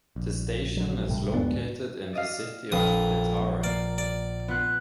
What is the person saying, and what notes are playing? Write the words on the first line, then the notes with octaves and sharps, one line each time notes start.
The station is located in the city of Petare.
A#1
F#3
A2 C3 G3
D1 F#2 A2 G#3 B3 D4
D5 D#5 F5
A#1 F2 B5 D#6
A#3 D5
D5
B3 F4 F#6